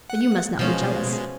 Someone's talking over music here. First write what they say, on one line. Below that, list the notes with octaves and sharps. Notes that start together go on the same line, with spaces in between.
"But you must not be jealous."
F#5
B2 F3 G#3 C#4